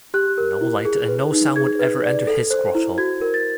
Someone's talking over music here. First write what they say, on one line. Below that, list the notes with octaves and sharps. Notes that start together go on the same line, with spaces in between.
No light and no sound would ever enter his grotto.
G4 F#6
A#4
E4
G#4
B4
D#4
G#4 G#6
B4
D5
A4
C5
E4
F#4 G#6
A#4
A6